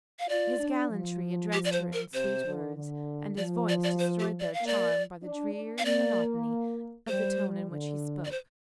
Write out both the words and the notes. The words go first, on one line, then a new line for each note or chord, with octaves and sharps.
His gallantry addressed her in sweet words; and his voice destroyed their charm by the dreary monotony of the tone in which he spoke.
F5
F4 D5
D4
F3
G4
D5
C5
A#4
C3 C5
D3
D3
F3 D5
D5
D5
C5
G4
D5
F5
A#3
D5
D4
D4
F5
A#3 D5
G3 C5
D3
D5
C5